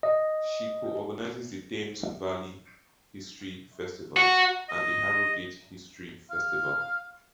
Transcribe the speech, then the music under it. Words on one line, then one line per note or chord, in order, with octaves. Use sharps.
She co-organises the Thames Valley History Festival and the Harrogate History Festival.
D#5
F#4
D#5
F5